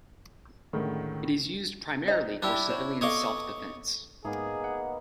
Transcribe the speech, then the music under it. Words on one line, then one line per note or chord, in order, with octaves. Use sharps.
It is used primarily for civilian self-defense.
C#2 A2 D3 D#3
D#4 C5 D#5
G3 D4 E4 G4
F#4 C5 C#5
B3 A4 C#5 D#5 F5 D6
G#2 A#3 B3 D#4 G#4
F#5